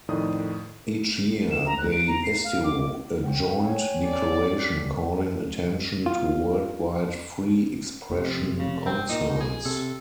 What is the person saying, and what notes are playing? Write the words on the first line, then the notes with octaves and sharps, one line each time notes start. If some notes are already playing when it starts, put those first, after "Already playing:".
Each year, they issue a joint declaration calling attention to worldwide free expression concerns.
F2 A2 D#3 D#4 D5 D#6
E7
A#5
F#6
D7
A#5
C7
F5
D6
F#5 G5 C#6
C#5 G#5
G2 C#5 D5
F4
F1 C3
C#3
C4
A#2 D#4
G#4
C3 A4